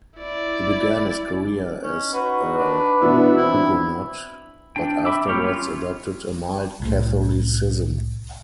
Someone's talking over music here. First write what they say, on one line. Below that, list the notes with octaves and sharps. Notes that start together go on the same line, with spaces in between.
He began his career as a Huguenot, but afterwards adopted a mild Catholicism.
E4 D5
C#4 D#4
F#4 B4
D4
B2 E3 B3 D4 E5
C4 D4 E4
D4 G5
E5 B5 D6 E6
G3 A#3 G4 C#5 F6
C#4 F4
C2 A2